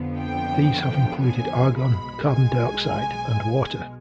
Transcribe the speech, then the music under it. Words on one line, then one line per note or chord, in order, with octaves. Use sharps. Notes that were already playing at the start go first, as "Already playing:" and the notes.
These have included argon, carbon dioxide, and water.
Already playing: F2 D3 F3 B3
G5
G#5
B1 B2 G#3 B5
G#5